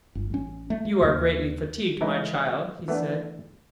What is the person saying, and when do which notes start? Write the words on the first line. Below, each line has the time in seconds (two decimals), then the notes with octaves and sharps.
"You are greatly fatigued, my child," he said.
0.15 G1
0.30 A1 C#4
0.70 A3
0.85 A3
1.01 D#2 C#3
2.01 E3 G#3 A3 D#4 E4
2.88 E3 A3 B3 D4